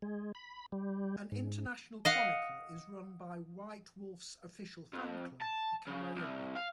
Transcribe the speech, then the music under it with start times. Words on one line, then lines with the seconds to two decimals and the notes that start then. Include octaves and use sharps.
An international chronicle is run by White Wolf's official fan club, the "Camarilla".
0.02 G#3
0.35 B5
0.72 G3
1.32 G#2
2.05 D#5 F5 F#5
4.94 F2
5.42 A5
5.87 C#3
6.15 C2
6.55 F5